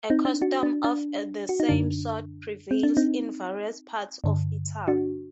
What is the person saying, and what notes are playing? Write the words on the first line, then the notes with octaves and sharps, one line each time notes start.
A custom of the same sort prevails in various parts of Italy.
C4 D#4
D4
D4 F#4
D4
D4
F#4
D#4
F#2 D3 D4
C4
D4
C4 D#4
G2 D3
D4 F#4